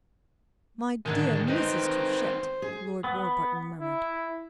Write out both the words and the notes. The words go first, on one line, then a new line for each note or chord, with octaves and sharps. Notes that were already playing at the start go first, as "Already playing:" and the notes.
"My dear Mrs. Touchett!" Lord Warburton murmured.
A2 D3 D#3 G#3 D4
D#3 C4 D#4 B4 C5 D#5
G#4
B3
E4